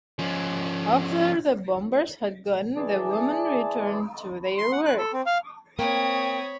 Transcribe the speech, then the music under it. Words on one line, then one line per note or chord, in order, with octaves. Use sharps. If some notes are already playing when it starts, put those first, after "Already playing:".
After the bombers had gone, the women returned to their work.
F3 C#4
E3 G#4 D5 A5
C6
F#5
F#6
A4
C4
F5
A#3 C4 C#5 G5 B5 D#6 G#6